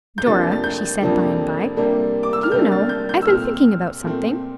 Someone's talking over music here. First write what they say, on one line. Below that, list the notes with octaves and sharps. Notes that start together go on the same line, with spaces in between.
"Dora," she said, by-and-by, "do you know I've been thinking about something?"
G6
F2 C3 F3 A#3 D4 A6
A6
G6
F2 C3 F3 A#3 D4
C3 G3 A#3 D4
D6
E6
F6
C3 G3 A#3 D4 G6
A6
G6
G6
E6
A#2 A3 C4 F6
A#2 A3 C4